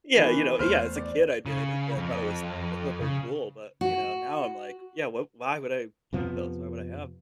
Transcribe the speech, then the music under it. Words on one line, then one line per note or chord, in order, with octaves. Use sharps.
Yeah, you know, yeah, as a kid, I did, and I thought it was I thought they're cool, but, you know, now I'm like, yeah, what why would I keep those? Why would I have
D#3 E3 B3
E2 A3 C5 F6
D5
C#3
F2
C#3
F#4
F2 C3 F3 B3